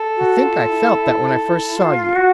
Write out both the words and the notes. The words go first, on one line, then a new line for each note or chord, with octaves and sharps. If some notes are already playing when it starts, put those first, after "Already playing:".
I think I felt that when I first saw you.
Already playing: A4
F#4
F4
E4
F4
F#4